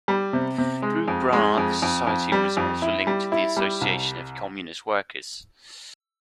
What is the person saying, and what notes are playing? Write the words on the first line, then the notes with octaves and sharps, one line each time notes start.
Through Brar, the society was also linked to the Association of Communist Workers.
G3
C3
C3
G#3
F2
G#3
F2
F2
F2
G3
F2
E4
G3
E4
G3
C2